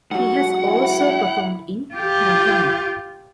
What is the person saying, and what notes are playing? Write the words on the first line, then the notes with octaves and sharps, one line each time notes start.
He has also performed in pantomime.
G#2 F#3 F#5
E4
F4 G4